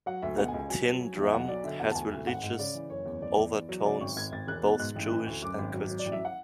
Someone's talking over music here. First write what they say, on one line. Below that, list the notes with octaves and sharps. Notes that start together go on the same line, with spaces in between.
"The Tin Drum" has religious overtones, both Jewish and Christian.
F#3 F#5
D2 E5
B2 F#5
G#5
C#2
G#5
F#3 G#5
F#3
F#3
E2 E5
B1 F#5
F#3 D5
D3 E5
E2 F#5
A5
D2 G#5
D2
G#1 F#5
G#2
C#3 D5
E3
F#1 C#5
E2
E2 D5
E2
E2
F#3
C#3 D5
G#1 C#6
G#1 G#6
G#1 A6
E1 F#6
B2
G#2 F#6
A1
E3
D2
F#2 D6
G#1
F#3
F#3
D5
A1
E5
F#5